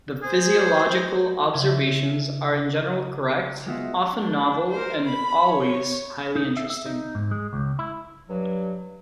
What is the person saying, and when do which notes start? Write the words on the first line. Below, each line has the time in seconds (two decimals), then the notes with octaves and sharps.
The physiological observations are in general correct, often novel, and always highly interesting.
0.23 G#4 C5
1.53 C#3 E4 E5 G#6 D#7
3.66 G#3 B3 F4 F#4 D#5 E5
4.15 D4
4.71 A#4 C5
5.06 B5
5.47 C#5
6.36 D#4
6.57 E5
6.70 E5
6.86 D#4
7.15 G#2
7.31 G#3
7.53 C#2
7.79 E4
8.30 G2 F#3